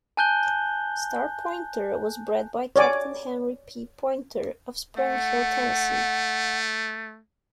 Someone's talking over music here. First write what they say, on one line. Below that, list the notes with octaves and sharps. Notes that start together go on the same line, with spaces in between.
Star Pointer was bred by Captain Henry P. Pointer of Spring Hill, Tennessee.
G#5 A5 F#6 G6 G7
C#5 D5 G#5 D6
A3 F#5